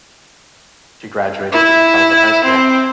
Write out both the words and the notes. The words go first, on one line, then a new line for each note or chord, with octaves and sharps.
She graduated from Kelvin High School.
E4
C4